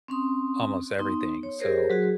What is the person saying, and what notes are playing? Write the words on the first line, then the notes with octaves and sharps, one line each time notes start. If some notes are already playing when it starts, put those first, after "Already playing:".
almost everything, so,
C4 C#4 C6 D#6
B3 D#4 C6
C#5
G4 G#4 A#4 C5 C#5
F#3 F#4 G#4